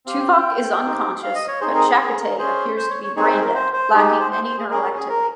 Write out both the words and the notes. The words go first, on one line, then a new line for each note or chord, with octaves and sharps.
Tuvok is unconscious, but Chakotay appears to be brain dead, lacking any neural activity.
C4 G4 F5
G5
G5
C4 D#4 G4
F5
D#5
C#5
C4 D#4 G#4 C5
A#4
G#4
G#4
A#4
C#4 G#4 C5
C5
C#5
C#5
C4 D#4 G#4 C#5
A#4
C5
A#4
C5
C5
G#3 D#4 G4 G#4
C5
C5
C5
G#4
C#4 G#4 A#4
A#4
G#4
A#4